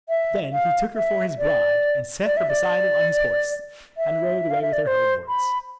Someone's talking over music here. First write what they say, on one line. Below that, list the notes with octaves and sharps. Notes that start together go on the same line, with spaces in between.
Then he took her for his bride, and set her beside him on his horse, and rode away with her homewards.
E5
F5
E5
D5
D5
E5
D5
E5
F5
E5
D5
D5
C5
B5